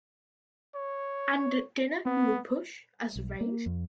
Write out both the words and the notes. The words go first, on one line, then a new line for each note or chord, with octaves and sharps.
And at dinner you will push, as arranged?
C#5
B3 C4
B1
A#3
F2